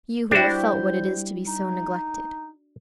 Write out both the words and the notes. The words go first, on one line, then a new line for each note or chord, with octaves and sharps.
You who have felt what it is to be so neglected!
G3 D4 E4 F#4 C5
D#4